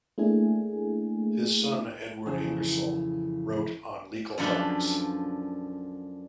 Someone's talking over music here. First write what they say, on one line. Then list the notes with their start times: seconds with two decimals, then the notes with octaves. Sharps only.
His son Edward Ingersoll wrote on legal topics.
0.18 A3 A#3 D4 E4 G#4 G#5
2.26 F2 C#3 E3
4.38 F#2 D3 F3 D4 B4